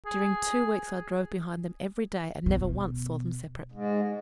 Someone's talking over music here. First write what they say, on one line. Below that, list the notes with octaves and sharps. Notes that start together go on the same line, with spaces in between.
During two weeks I drove behind them every day, and never once saw them separate.
G#4
B2
G#2